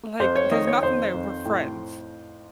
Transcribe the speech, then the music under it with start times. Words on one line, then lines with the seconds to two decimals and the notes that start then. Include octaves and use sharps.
like, "There's nothing there, we're friends."
0.20 F2 C5
0.35 C#5
0.51 D#3 D#5
0.67 C#5
0.83 F2 C5
1.14 F2
1.45 A2